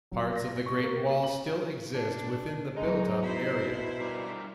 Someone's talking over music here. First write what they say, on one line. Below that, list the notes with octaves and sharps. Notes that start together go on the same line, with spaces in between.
Parts of the Great Wall still exist within the built-up area.
F#3
A#6
C#6
A#3
G4
F#7
D4
E2 F#3 G#3 D#4
B2 E4 C5
G2 A#4 D5